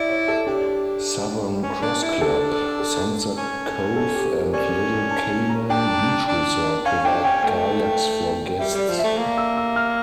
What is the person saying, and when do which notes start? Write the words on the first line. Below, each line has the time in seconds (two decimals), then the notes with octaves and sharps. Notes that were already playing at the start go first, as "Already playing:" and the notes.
Southern Cross Club, Sunset Cove and Little Cayman Beach Resort provide kayaks for guests.
Already playing: E4 D5 E5
0.09 C#5
0.28 A4
0.47 D4 G4
1.63 C#4
1.82 D4
2.03 E4
2.21 D4 A4
2.80 A4
3.37 C#4
3.96 A4
4.14 G4
4.34 A#4
4.53 C#4 D5
5.11 A5
5.50 A#5
5.69 D4 G5
6.28 D4
6.85 C#4 F5
7.05 D4 G5
7.24 C#4 G5
7.44 A3 G5
8.59 G3 E5
8.74 G3 D5
8.89 F3
8.99 E5
9.04 A3
9.18 A#3
9.38 E6
9.57 E6
9.76 F6